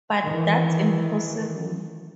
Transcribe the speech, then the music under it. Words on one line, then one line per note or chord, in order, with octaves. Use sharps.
But that's impossible!
D#3 E3